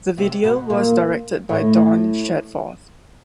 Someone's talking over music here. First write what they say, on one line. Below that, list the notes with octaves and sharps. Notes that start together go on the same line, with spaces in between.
The video was directed by Dawn Shadforth.
C3 C4
B2 B3
A#2 A#3
A2 A3